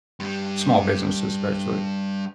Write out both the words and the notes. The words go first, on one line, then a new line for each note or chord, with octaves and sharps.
small businesses, especially.
G2 G3